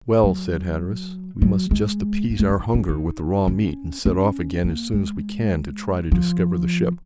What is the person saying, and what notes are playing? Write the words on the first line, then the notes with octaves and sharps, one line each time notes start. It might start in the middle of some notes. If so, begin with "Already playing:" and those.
"Well," said Hatteras, "we must just appease our hunger with the raw meat, and set off again as soon as we can, to try to discover the ship."
F#3
F#3
G#3
A#3
G#3
C4
D#4
C#4
D#4
C#4
C#4
A#3
G#3
F3